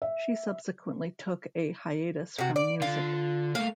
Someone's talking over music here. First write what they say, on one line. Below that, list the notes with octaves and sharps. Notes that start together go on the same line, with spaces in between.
She subsequently took a hiatus from music.
E5
C3 F#4
D5
D3 F4
A3 A#3 F5